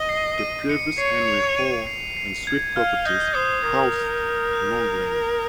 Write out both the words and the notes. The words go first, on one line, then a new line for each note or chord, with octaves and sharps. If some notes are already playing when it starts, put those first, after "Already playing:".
The previous Henry Hall and Sweet properties housed Long Lane.
Already playing: D#5
C7
D#7
C#7
C#5 C7
F7
D#7
C7
C7
G#6
F5 F6
D#5 G6
C5 D#6
A#4 D#6
G6